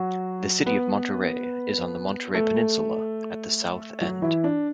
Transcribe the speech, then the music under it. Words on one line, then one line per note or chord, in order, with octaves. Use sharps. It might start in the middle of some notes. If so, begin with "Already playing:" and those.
The city of Monterey is on the Monterey Peninsula at the south end.
Already playing: F#3 F#4
B3 B4
A3 A4
F#3 F#4
E3 E4
D4